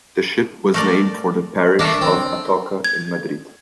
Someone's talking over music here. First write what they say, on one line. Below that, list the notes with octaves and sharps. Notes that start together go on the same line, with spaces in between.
The ship was named for the parish of Atocha in Madrid.
A3 A#4 D5
A3 D4 A#4 A5
C4
G#6